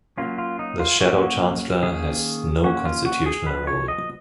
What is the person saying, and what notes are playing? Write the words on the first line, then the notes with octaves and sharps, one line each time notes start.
The Shadow Chancellor has no constitutional role.
F#3 A#3 C#4 F4
F4
D#4
F4
F#3 A#3 C#4 F#4
D#3 A#3 C#4 G#4
D#3 A#3 C#4 F#4
F4
F#4
G#4
F3 B3 B4
C#5
D#5